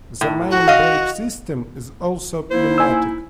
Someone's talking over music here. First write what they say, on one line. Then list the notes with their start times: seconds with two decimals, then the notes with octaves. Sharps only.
The main brake system is also pneumatic.
0.21 A2
0.50 F#4
0.68 D#5 F5
2.51 A#3 D#4 E4 C5
2.78 G#5 E6